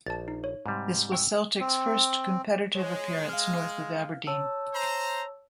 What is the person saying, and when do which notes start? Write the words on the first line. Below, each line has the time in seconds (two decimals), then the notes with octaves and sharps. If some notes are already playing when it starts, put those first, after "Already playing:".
This was Celtic's first competitive appearance north of Aberdeen.
0.06 A#1 A5 A6
0.28 D#4
0.44 C#5
0.66 G#2 C3 G3
1.12 G5 C#6 E6
1.60 C4
2.75 G#3 C#5
3.29 F5 F6
4.27 C#5 A5 E6
4.74 C5 A#5